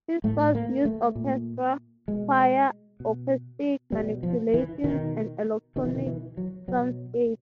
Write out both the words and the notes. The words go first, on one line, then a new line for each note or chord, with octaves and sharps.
His scores use orchestra, choir, acoustic manipulations and electronic soundscapes.
A2 A3
A#3
A3
A#2
B2 G#3
B2
B2 G3
F3
E3
B2 D#3
B2 D#3
E3
D#3
E3
F#3
B2 F#3